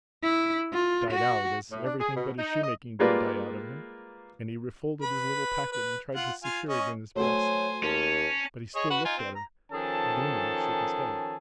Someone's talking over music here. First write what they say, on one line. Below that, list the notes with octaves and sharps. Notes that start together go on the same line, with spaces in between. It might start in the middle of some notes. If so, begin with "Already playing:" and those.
It died out, as everything but his shoemaking did die out of him, and he refolded his little packet and tried to secure it in his breast; but he still looked at her, and gloomily shook his head.
E4
F4
F#4
A2
D4
G#4
B2
D#4
D#5
G3 G#3 A#3 F4 B4 D5
B4 B5
B4
F4 F#5
F4 F5 G#5
C#4 C#5 D#5
F#3 A3 F#4 C5 G#5
D#2 C#4 A5
G#4 C#5 D#5
F#4 B4 F#5
D#4 F4 G#5
C4
A#5
D#3 F3 C#4 G#4 A4 A5